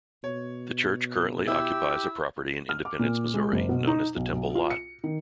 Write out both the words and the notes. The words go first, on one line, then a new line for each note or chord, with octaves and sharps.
The church currently occupies a property in Independence, Missouri, known as the Temple Lot.
B2 C#5
E4 G4 E6
F6
D6
A#2
G#3
F#1
B2
D#4
B1
B1
F4
C#7
D#3